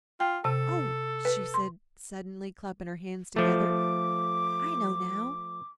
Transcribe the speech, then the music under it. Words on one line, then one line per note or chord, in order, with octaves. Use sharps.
"Oh!" she said suddenly, clapping her hands together; "I know now."
F4 G5
C3 A4 A5
B4
C6
F3 A3 D6